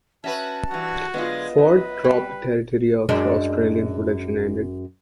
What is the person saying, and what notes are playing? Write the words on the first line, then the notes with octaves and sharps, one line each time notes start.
Ford dropped the Territory after Australian production ended.
C#4 F#4 B4 E5 A5
G2 E3 F#4
D3 F#3 G#3 B3 F4 D#5
F#2 B4
G3
F#2 G#3 D4